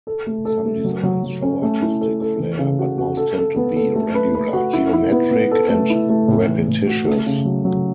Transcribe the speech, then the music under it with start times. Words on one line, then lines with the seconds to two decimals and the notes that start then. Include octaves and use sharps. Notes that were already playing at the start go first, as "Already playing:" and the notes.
Some designs show artistic flair, but most tend to be regular, geometric, and repetitious.
0.07 A4
0.27 A3
0.45 A4
0.66 A3
0.85 F#3
1.03 F#3
1.24 F#3
1.42 C#4
1.62 A3
1.82 E4
2.01 A4
2.21 A4
2.40 E3
2.59 C#3
2.79 F#4
2.98 F#4
3.17 A4
3.38 A4
3.56 B3
3.76 A4
3.95 A3
4.15 B4
4.35 B4
4.54 F#4
4.73 E4
4.93 E4
5.12 B3
5.31 B3
5.51 A4
5.70 A3
5.90 E4
6.09 A3
6.28 A2
6.48 E3
6.68 A2
6.87 F#4
7.07 A3
7.26 C#3
7.45 F#3
7.65 F#3